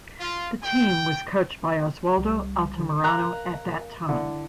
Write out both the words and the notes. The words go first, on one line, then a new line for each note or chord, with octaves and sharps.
The team was coached by Oswaldo Altamirano at that time.
F4
G5
C2 G3
D3
A#4 F5 A#5 F#6
D3 E4